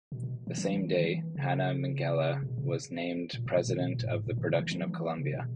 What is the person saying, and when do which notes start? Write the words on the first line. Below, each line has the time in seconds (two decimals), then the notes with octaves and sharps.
The same day, Hanna Minghella was named president of production of Columbia.
0.12 B2
0.23 B2
0.47 E3
0.58 F#3
0.74 E3
0.88 D#3
1.04 E3
1.35 C#3
2.43 B2
2.58 C#3
3.33 A#2
3.46 B2
3.57 B2
3.68 D#3
3.80 B2
3.94 A#2
4.02 G#2
4.14 G#2
4.27 A#2
4.37 D#3
4.49 C#3
4.60 E3
4.72 F#3
4.87 E3
5.18 C#3
5.34 B2